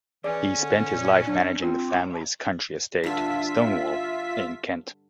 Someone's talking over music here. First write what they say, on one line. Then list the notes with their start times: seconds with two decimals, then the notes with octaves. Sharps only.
He spent his life managing the family's country estate, Stonewall, in Kent.
0.24 E3 C#4 G#4 D5
0.56 D3
0.93 A#2
1.27 F#3 D4
1.62 C4 F4
3.04 G2 D3 F4 E5 B6